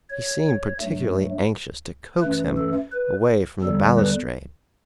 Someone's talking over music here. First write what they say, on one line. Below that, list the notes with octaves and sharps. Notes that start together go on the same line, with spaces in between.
He seemed particularly anxious to coax him away from the balustrade.
C#5
G2 F#3 A3
F#2 E3 A3 B4
A4
B4
E2 D3 G3 A4
B4